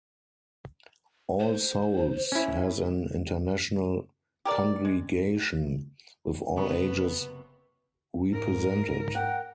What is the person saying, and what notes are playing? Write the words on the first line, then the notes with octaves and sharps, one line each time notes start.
All Souls has an international congregation, with all ages represented.
C5
C#4 E4
G4 A#4 D5
G#3
F#1 C3 B3 C#6
G#2 A#4
F#5 G5